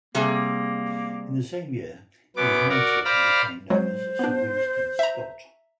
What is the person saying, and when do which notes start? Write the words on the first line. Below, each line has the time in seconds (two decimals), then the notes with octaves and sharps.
In the same year he was knighted and became known as Sir Winston Scott.
0.15 C3 G3 A#3 G#4
2.36 F#2 B3 D6
2.69 F#4 A#4 D5
3.05 C5 D5 F5 A#5 B5
3.70 F#3 G#3 C5
4.19 B3 D4
4.99 E5 A#5